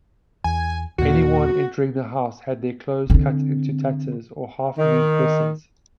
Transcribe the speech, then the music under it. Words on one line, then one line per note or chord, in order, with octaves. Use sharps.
Anyone entering the house had their clothes cut into tatters or half-moon crescents.
E2 G#5
D#2 A#2 F#4
D3 C4
D#3